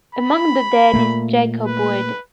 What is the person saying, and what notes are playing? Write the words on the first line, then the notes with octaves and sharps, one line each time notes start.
Among the dead is Jacob Wood.
B5
A#2 A3 A#3
B4